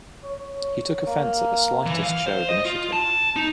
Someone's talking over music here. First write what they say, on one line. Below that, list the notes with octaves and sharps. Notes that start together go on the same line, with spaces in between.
He took offence at the slightest show of initiative.
C#5
A#3
E3
F5
C5
D#5
F4
A5
D#4